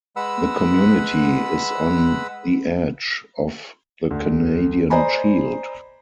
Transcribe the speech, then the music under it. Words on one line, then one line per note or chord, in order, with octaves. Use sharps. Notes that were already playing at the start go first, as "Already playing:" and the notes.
The community is on the edge of the Canadian Shield.
G#3 B4 F#5 B5 E6
D2
C5 D5 D#5 G#5 A#5 B5